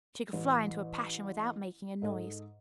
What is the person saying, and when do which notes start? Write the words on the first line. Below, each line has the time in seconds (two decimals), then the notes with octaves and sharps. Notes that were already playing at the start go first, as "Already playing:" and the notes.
She could fly into a passion without making a noise.
0.33 A1
2.02 G#2 A4 D#5